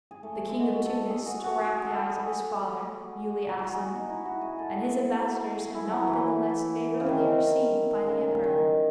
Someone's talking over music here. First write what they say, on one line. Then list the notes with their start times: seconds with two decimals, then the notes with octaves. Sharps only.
The King of Tunis tore out the eyes of his father, Muley Assem, and his ambassadors have not been the less favourably received by the emperor.
0.11 G#4
0.23 A3
0.36 A3
0.48 G#3
0.60 F#4
0.85 A4
1.10 G#4
1.26 F#4
1.44 F#4
1.60 G#4
1.85 A4
2.10 G#4
3.49 F#4
3.59 G#4
3.71 F#4
3.96 D#4
4.09 E4
4.25 F#4
4.41 G#4
4.59 A4
5.09 F#4
5.58 G#4
5.74 E4
5.91 F#3
6.07 E3
7.00 C#3
7.06 D#3
8.07 C#3
8.18 D#3
8.31 C#3
8.44 D#3